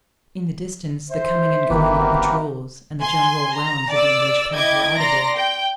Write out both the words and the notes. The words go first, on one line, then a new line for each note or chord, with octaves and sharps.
In the distance the coming and going of patrols and the general rounds of the English camp were audible.
C5 E5
G1 D#3 A#3 G4 B4
C4 F#4 A#4
G#5 C6
A#5
D5 E6
E4 D#5 G5 D6 G#6 D7
D5 A#5 C6 A#6
G5